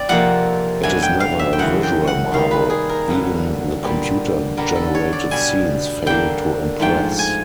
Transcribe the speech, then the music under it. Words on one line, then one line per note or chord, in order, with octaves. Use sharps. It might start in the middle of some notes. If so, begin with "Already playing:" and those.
It is never a visual marvel - even the computer-generated scenes fail to impress.
Already playing: C4 D5
F2 C3 F3 A#3 F#5
B2 F#3 A3 D4 G#5
G5
F5
E5
G5
F#2 C#3 E3 F#5
G5
F#5
C3 D#3 G3 A#3 F5
B4
G#4
A#4
G2 D3 F#3 B3
A#2 G3 B3 D4
D3 G3 B3 D4 A#4
A4
C#5
D5
B2 G3 B3 D4 G#5
D3 G3 A#3 D4 G5
G#2 F3 A3 G5
G#5